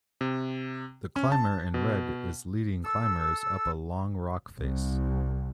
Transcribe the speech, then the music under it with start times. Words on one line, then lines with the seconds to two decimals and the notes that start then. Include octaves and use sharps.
The climber in red is leading climbers up a long rock face.
0.21 C3
1.16 C#4
1.32 A5
1.74 B2
2.84 A4 E6
4.60 C2